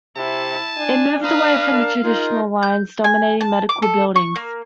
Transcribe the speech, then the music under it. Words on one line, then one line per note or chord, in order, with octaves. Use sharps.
It moved away from the traditional lines dominating medical buildings.
C3 E4 A5
D4 G#5
B4 F5 A#5 D#6 F6
A#4 A5
D#4 F4 G#4 A#4
G6
G#5
A5
D6
A4
C#6
A#3